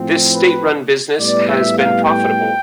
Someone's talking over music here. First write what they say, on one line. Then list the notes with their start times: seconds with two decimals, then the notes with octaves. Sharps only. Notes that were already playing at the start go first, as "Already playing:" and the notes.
This state-run business has been profitable.
Already playing: A2 F3 C4
0.33 B4
1.19 A2 G3 B3 D5
1.47 E5
1.76 F5
2.04 G5